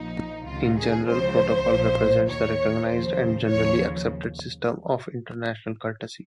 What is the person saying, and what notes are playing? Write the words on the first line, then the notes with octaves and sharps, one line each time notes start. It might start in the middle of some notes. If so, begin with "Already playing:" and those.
In general, protocol represents the recognized and generally accepted system of international courtesy.
Already playing: A#1 A#2 F3 D#4
C#2 C3 D#3 F4
G#4
C#2 C#3 F3 C5
A#1 A#2 F3
D#2 D#3 C#5
D#2 C#3 F3 C5
D#2 C#3 F3 C#5